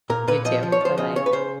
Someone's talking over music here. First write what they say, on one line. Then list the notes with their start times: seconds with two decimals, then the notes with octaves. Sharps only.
You too, bye-bye.
0.10 A#2 A#4
0.28 A#2 B4
0.45 F3 D#5
0.63 F3
0.72 C#5
0.81 F3 C5
0.98 C#3 D#5
1.16 C#3 C#5
1.26 B4
1.33 C#3 C5